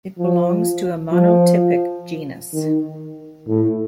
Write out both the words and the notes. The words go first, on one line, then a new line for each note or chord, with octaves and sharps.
It belongs to a monotypic genus.
F3
F3
D#3
A2